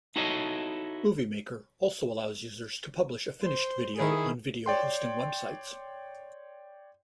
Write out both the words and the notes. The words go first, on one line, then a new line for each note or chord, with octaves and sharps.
Movie Maker also allows users to publish a finished video on video hosting websites.
D#4 E4 F#4 A4 C#5 D#5
C5
D#3 E4 G#4
C#5 D5 G5 C6